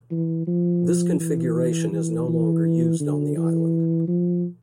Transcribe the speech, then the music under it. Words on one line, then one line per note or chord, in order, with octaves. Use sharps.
This configuration is no longer used on the island.
E3
F3
E3
E3
E3
D3
E3
F3